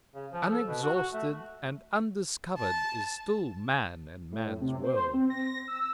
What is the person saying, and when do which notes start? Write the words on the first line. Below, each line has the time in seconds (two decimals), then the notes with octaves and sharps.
Unexhausted and undiscovered is still man and man's world.
0.15 C#3
0.32 F3
0.48 A4
0.68 B2
0.83 F#4
0.95 F#4
1.13 A3
2.58 A5
4.32 A2
4.61 C3
4.83 C5
5.13 C4
5.30 A#6
5.68 E6